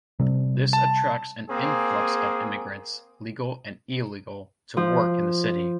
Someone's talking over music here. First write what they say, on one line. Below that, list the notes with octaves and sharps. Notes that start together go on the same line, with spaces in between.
This attracts an influx of immigrants, legal and illegal, to work in the city.
C3 G3 C4
A5
A#3 C4 G#4
F3